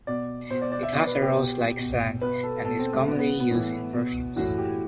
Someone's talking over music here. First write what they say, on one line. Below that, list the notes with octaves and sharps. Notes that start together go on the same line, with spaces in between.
It has a rose-like scent and is commonly used in perfumes.
B2 D5
B2 C5
D5
D5
E5
B2 D5
B4
G4
B2
B2
B2 B4
A4
B2 A4
C4
A3
B2 B3
B3
B3
B3
A2 E3
B2
A2 E3 F#4
G4